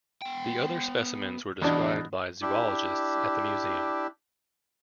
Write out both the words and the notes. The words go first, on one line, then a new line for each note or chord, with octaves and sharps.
The other specimens were described by zoologists at the museum.
B3 G5
E2 B2 D3 D4 F4
D4 E4 G4